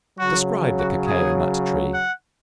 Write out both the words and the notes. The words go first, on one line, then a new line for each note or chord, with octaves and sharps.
Describe the Cacao-nut Tree.
C#3 F#3 F#4
F#4
G#4
F#5